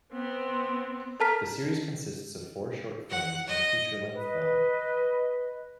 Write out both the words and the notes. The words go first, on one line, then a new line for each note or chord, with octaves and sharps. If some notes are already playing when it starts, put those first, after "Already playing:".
The series consists of four short films and a feature-length film.
B3 C4
A4 A#4 A5 A#5 F6 B6
F#5
D#5
B4 D#5